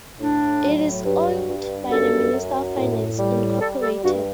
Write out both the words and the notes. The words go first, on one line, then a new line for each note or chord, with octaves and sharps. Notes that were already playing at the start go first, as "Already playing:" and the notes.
It is owned by the Minister of Finance Incorporated.
A2 D4
F#3
G2
G2
F#2 A4
F#2
A2
G3
G3 A4
A4
G2 F#4